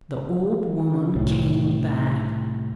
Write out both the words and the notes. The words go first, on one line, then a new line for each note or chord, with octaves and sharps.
The old woman came back.
C2 A2